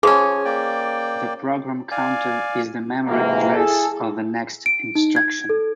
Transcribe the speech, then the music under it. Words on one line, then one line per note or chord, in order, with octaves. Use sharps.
The program counter is the memory address of the next instruction.
F3 C#4 G#4
A#3 D5 G5
D5 F5 G#5
C#2 G#2 C3 E3 F#3 A#3
E4 G#4 A4
D7
D#4
G#6
A4